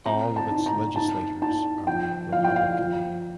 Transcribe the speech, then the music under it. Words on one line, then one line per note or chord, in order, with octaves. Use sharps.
All of its legislators are Republican.
C4 A#5
A5
D#4
A#5
D#4 A5
D#4 A5
F3 G5
F3 F5
G5
F5
F3